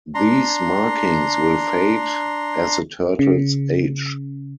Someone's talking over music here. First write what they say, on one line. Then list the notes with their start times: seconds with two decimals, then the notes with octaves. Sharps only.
These markings will fade as the turtles age.
0.15 D4 A#5 C6
3.19 C#3